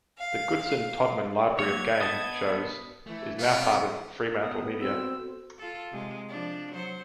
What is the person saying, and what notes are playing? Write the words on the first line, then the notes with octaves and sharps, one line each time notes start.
The Goodson-Todman library of game shows is now part of FremantleMedia.
F5
F#3 A#3 C#5 G#6
B3 D#5 A5
E3 A3 E4
C3 G3 B3 A#4 C#5 F5
B3 D#6
C4 F#4 A4 E6
F4 A4
C3 G#3
F3 D4
F#3 C5